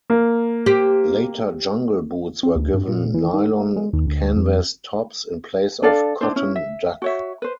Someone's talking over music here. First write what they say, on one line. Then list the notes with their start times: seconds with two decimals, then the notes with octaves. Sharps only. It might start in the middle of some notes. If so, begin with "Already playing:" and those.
Later Jungle boots were given nylon canvas tops in place of cotton duck.
0.10 A#3
0.66 G4 C5
2.43 C4
2.56 D2
2.74 G2
2.88 A#2
3.14 E3
3.34 D#3
3.60 A3
3.76 G#3
3.93 D#2
4.07 D2
4.36 F2
5.83 D4 A4 D5 F5
6.21 D4 E4 C5
6.36 C#4 E4
6.56 E5
7.02 F#4 C#5 E5
7.42 B4 C5